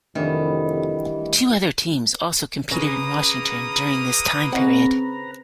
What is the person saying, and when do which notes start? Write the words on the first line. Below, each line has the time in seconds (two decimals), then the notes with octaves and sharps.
Two other teams also competed in Washington during this time period.
0.15 F1 D#3 E3 G3 A3 D4 D5 F#5
2.71 C#3 A#3 B4 A#5 D#6
4.53 C#3 C4 D#5 F#5